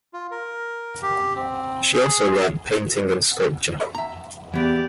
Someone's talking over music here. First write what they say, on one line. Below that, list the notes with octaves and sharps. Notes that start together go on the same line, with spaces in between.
She also learned painting and sculpture.
F4
A#4
G4
C4
G#4
E5 A#5
E2 E3 B3 G4 D5